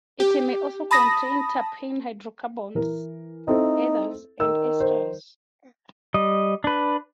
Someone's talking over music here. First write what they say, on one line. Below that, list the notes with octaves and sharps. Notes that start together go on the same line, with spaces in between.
It may also contain terpene hydrocarbons, ethers, and esters.
G4
A5 B5 D#6 A#6
E3 A#4
C4 D#4 E4 A4
D#3 E6
C5
G3 D#5
D4 B4